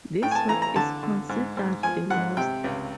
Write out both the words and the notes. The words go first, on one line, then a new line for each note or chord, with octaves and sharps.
This work is considered lost.
A2 G5
G#5
A5
E3 A#5
A#5
D3 A5
D3
G#2
G#2
F3 G#5
G#2 F#5
C3 G5
C#2